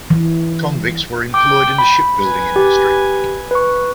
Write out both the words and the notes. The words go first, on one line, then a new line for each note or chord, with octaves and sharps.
Convicts were employed in the shipbuilding industry.
E3
G5 D6
B5
B4 G#5
G4
B4 C#6